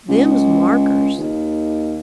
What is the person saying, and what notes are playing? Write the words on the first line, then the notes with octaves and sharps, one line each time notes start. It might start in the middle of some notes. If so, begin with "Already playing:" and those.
Them's markers.
C#2
D#2